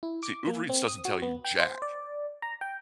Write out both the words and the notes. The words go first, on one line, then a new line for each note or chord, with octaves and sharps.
See, Uber Eats doesn't tell you jack.
E4
D6
A#3
C4
D#6
F#4
B3
G5
C5
D5
A#5
G5